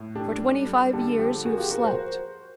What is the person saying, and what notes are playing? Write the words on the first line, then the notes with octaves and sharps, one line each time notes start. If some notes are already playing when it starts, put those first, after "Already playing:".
For twenty-five years you have slept.
Already playing: A2
D4 G4 A4
G3
G3
D3 G4 A4
F3 G4 A4
F#4 G#4 A#4
F4 G4
F#4 G#4 A#4
A#4 C5